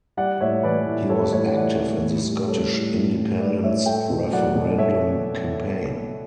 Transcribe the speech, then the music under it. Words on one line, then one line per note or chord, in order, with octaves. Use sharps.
He was active in the Scottish independence referendum campaign.
G3 D5 F#5
A2 C#5 E5
E3 B4 D5
A2
G3 A4 C#5
A2 A4 C#5
E3 D5 F#5
A2
A2
G3
G3 A4 C#5
A2
A2
G3
G3 B4 D5
A2 C#5 E5
A3 E5 G5
B2
F#3 D5 F#5
B2
A3 C#5 E5